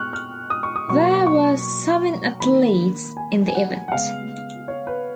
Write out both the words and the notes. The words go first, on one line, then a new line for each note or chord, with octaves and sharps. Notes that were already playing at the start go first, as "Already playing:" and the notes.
There were seven athletes in the event.
Already playing: A#2 G#3 B3 C#6 F6 F#6
F6
D#6
C#6
D#6
B2 F#3 A#3 C#6
C#6
D#3 A#3 B5
G#5
G#5
F#5
F#5
C#3 G#3 B3 F5
C#5
B4